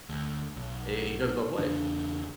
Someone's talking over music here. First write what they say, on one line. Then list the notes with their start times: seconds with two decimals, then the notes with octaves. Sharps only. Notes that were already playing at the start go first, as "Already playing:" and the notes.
It it goes both ways,
0.09 D2
0.56 B1
1.58 E2 C#3 E3 D4